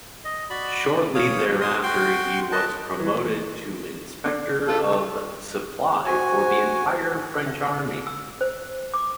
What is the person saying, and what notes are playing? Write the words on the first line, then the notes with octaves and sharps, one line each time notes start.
Shortly thereafter he was promoted to Inspector of Supply for the entire French army.
D#5
F#4 D5 B5
C#5 F5 D#6
C6 D#6
F#4 G5 C6
B4 D#5 A5
E3
D4
F4 A4 A5
F#4 C5 G#5
E5
E6
C5
D6